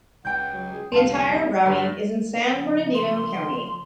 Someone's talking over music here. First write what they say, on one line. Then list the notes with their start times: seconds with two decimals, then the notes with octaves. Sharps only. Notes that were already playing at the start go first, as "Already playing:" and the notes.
The entire routing is in San Bernardino County.
0.25 C#2 F#5 G5 G6
0.53 F#3
0.72 G#4
0.92 C2 F2 D3 G3 F5 A5 C6
1.26 G3
1.66 G2 D3 F#3
2.34 C#3 F3
2.95 C6